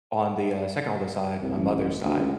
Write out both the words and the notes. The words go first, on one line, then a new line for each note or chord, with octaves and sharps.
on the, uh, second oldest side, my mother's side,
C2
A1
D2
C#2